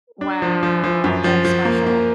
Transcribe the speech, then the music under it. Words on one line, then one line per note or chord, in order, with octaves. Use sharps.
Wow, that's special.
D4
F3
F3
F3
F#2
F3
F3
A#3
A#3